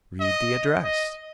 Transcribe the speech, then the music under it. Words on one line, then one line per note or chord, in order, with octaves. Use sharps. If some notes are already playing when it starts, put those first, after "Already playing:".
"Read the address."
D#5
D#5